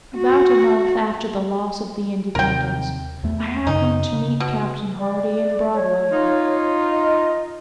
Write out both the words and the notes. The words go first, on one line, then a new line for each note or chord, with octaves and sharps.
About a month after the loss of the "Independence," I happened to meet Captain Hardy in Broadway.
F#4
D#2 C3 A#4 G5
E2 A3
F#2 C#3 D#4
C#3
B2
D5
C#5
D#4 F4
D#5